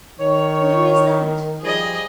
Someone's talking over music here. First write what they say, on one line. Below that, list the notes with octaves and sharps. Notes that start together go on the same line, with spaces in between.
And who is that?
D#3 C#5
F3 G3 G#4 D#5